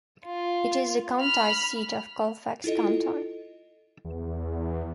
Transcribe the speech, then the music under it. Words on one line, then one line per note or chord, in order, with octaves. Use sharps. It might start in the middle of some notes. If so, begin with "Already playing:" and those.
It is the county seat of Colfax County.
F4
B5 F6
E4 F4 A4 D#5
E2